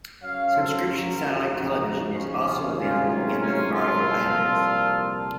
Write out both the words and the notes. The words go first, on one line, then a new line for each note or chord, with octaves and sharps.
Subscription satellite television is also available in the Faroe Islands.
F#2 C#3 F#3 C#5 F5
A4 C5
F#4 A#4
F4 A4
D#2 C#3 F3 D#4 F#4
C#4 F4
C#2 C3 D#3 F#3 C#4 F4
C#4 F4
C#4 F4
F4 A4
C2 A#2 F3